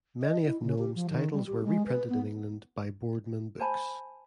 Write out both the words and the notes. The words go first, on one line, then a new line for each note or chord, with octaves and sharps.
Many of Gnome's titles were reprinted in England by Boardman Books.
D#5
E4
C#3
G4
F3
D#3
G3
G4
G#3
B4
B3
C5 G#5 A5 B5